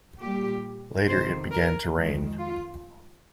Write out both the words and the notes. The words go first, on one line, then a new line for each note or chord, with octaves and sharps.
Later it began to rain.
A#2 G3 G4
F2 C3 D#3 C5
A#4
F2 D#3 G#3
F4